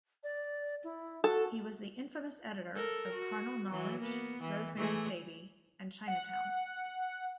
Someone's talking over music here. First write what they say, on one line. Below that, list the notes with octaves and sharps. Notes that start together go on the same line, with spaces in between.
He was the infamous editor of "Carnal Knowledge," "Rosemary's Baby", and "Chinatown".
D5
E4
F#4 A4
A4 A#4
F#4
E3 F#3
A#3 B3
E3
E3 A3 G#4
F#5